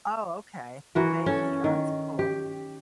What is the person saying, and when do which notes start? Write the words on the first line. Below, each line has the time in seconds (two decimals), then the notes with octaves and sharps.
Oh okay, "Dhivehi," oh it's cool.
0.95 E3 F#4 A#4
1.26 C#4 A4
1.64 D#3
2.19 G4